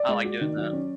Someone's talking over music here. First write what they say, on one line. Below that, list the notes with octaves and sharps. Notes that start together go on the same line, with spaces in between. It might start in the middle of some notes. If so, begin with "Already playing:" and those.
I like doing that.
Already playing: D5
G#3
F#4
D#3
F#3
C#4